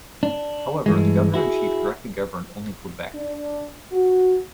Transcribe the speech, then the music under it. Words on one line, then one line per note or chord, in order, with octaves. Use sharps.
However, the governor-in-chief directly governed only Quebec.
D4
G2 E3 G#3
E4 F#4 G#4
D4
F#4